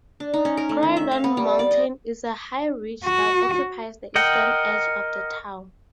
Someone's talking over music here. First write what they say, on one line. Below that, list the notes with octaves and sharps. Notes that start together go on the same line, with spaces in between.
Croydon Mountain is a high ridge that occupies the eastern edge of the town.
D4
D#4
C#4
A#4
A3
D#3
E5
F5
B3
G3
D5
D#5
F#4
A#4 D#5 F#5 G5